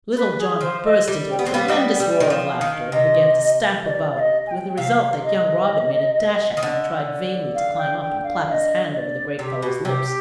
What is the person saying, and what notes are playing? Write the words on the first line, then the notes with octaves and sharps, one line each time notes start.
Little John burst into a tremendous roar of laughter, and began to stamp about, with the result that young Robin made a dash at him and tried vainly to climb up and clap his hand over the great fellow's lips.
B4
G#4
F3 C5
D#5
G3
G5
B3
C4
G3 B3 F5
G3 B3
G5
G3 G5
D#3
F3
F5
D#3
C3 D#5
D#5
D5
F5
D#5
G#5
G5
C3 F5
D#5
D#3
D3
F5
G5
G5
F5
F5
D#5
D#5
D5
C3 G4
B2
C3 G4